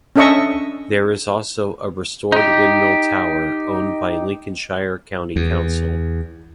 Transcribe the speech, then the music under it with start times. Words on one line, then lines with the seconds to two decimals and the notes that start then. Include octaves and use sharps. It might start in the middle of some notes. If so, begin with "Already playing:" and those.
There is also a restored windmill tower, owned by Lincolnshire County Council.
0.16 C#4 D4 A4 D#5 E5 C#6
2.32 D#4 G4
5.36 E2